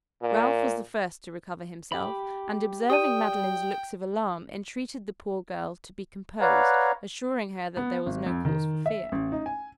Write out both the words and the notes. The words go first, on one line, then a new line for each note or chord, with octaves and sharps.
Ralph was the first to recover himself, and observing Madeline's looks of alarm, entreated the poor girl to be composed, assuring her that there was no cause for fear.
A#2
G4 B5
G4 D5 G5 D#6 D#7
B4 C#5 D5 F5 F#5 A#5
B3
G#1
F2
D#3
E5
A1
D#4
G#5